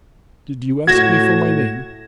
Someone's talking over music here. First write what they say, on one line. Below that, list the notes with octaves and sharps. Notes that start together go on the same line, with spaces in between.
"Did you ask me for my name?"
A2 F#4 G#6 A#6 E7